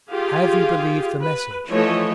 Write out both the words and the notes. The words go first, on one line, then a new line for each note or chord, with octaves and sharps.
Have you believed the message?
F4 G4 G#4 F5
B4
E3 F3 A3 C#5 D#5